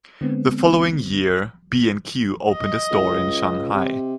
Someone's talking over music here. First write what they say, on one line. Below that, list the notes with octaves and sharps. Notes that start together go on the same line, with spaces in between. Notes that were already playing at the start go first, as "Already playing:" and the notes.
The following year, B and Q opened a store in Shanghai.
D3 G#3 B3 C4
D#5
C#2
C3